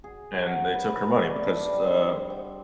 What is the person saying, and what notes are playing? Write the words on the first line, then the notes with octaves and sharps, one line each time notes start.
And they took her money because, uh,
G#4
F#3
B4
E4
D5
D4
G3
C6
G5